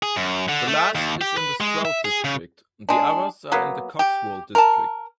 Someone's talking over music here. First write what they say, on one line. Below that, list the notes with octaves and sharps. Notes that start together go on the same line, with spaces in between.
The last is in the Stroud district; the others are in the Cotswold district.
G#4
F#2
D3
A3
D#2
G4
B4
G#3
E5
G#4
C#3
G#3 D4
F#3 A#3 B3
G4
A#4 A5